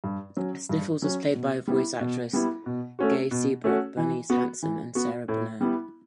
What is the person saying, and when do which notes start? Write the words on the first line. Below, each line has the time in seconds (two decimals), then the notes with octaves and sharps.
Sniffles was played by voice actresses Gay Seabrook, Bernice Hansen, and Sara Berner.
0.04 G2
0.37 F#3 C#4
0.69 G2
1.02 F#3 C#4
1.35 B2
1.68 G3 B3 E4
2.00 B2
2.33 G3 B3 E4
2.66 B2
2.99 A3 C#4 F#4
3.31 B2
3.64 A3 C#4 F#4
3.97 E3
4.30 B3 F#4
4.63 E3
4.95 B3 F#4
5.28 A2
5.61 G3 B3 E4